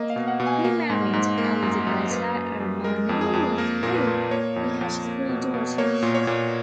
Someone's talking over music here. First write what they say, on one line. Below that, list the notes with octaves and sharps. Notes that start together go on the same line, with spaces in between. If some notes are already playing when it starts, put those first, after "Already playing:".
He married Elisabetta Ermanni with whom he had three daughters.
Already playing: A#3 D#5
F5
B2
F#5
B2
G#5
A#3
G#2
G#2
A#3
F#2
F#2
A#3 B4
F#2
F#2
G#3 A#4
F2
G#4
F2
A#3 A#4
A#2 A#4
B4
A#2
A#3 C#5
F2
F2
A#3
B2
B2
A#3 C#5
A#2
C#5
A#2